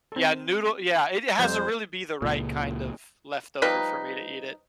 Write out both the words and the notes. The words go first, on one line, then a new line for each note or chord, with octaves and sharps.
Yeah, noodle yeah, it has a really be the right kind of leftover for me to eat it.
C4 A4
F2 F3 G3 C5
C#2 A#2
F3 G3 D#4 B4